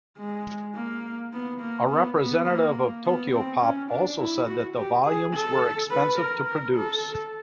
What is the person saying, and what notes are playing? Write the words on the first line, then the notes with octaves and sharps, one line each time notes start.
A representative of Tokyopop also said that the volumes were expensive to produce.
G#3
A#3
B3
A#3
B3
B3
A#3
B3
C4
C#4
D4
E4
F#4
G4
G#4
A4
B4
A#4
A#4
A4